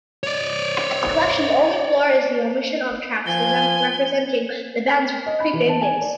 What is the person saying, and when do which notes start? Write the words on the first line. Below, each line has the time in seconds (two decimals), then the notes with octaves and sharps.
The collection's only flaw is the omission of tracks representing the band's pre-fame days.
0.23 C#5 D5
3.26 F3 G#5 G7
5.26 D#5
5.40 B5
5.53 E3
5.69 A5
5.81 G#5
6.02 D5